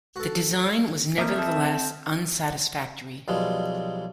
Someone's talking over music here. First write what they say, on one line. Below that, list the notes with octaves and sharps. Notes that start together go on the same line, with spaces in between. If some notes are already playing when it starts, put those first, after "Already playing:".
The design was nevertheless unsatisfactory.
F#4 A4
F2 A#3 E5 D6 D#6 F6
C4 A4
B1 F3 G3 G#3